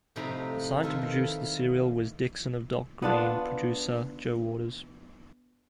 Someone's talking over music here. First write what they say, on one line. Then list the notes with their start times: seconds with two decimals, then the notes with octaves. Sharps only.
Assigned to produce the serial was "Dixon of Dock Green" producer Joe Waters.
0.16 A2 C3 F3 D#4 A#5 B5
0.83 D#3 E4 F4 A4 B4
3.02 B3 D4 F4